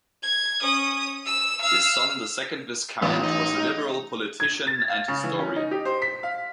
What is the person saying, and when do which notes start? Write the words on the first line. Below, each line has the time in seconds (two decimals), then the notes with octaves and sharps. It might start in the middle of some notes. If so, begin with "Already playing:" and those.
His son, the second Viscount, was a Liberal politician and historian.
0.22 G#6
0.61 C#4 D#6
1.26 E6 E7
1.61 F5 E6
3.02 A1 B3 F4
3.24 D#4
4.40 G#6
4.67 A6
4.89 F5
5.08 C#3
5.24 E3
5.39 C#4
5.56 D#4
5.71 G4
5.85 C5
6.02 B6
6.23 F5